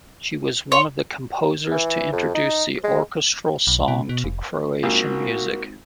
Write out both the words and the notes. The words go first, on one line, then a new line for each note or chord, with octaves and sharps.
She was one of the composers to introduce the orchestral song to Croatian music.
C#5 C6
E3
F2
D#4
G#3
B1
B2
B2
F1
A#1 G#3 C4 D#4 F#4 A#4